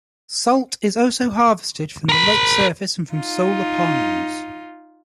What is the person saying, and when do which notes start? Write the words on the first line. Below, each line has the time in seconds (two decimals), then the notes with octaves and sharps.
Salt is also harvested from the lake surface and from solar ponds.
2.09 A#4 B5
3.11 D#4 F4